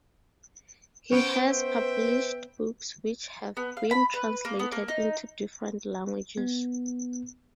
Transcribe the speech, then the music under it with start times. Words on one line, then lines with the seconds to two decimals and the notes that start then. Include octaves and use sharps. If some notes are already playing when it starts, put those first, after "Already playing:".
He has published books which have been translated into different languages.
1.11 B3 C#4 C5 G5
1.49 B4 E5 G5
3.57 B3
3.77 F5
3.91 B5
4.13 B4
4.45 A#3
4.59 B3
4.72 A#3
4.88 D#4
6.38 B3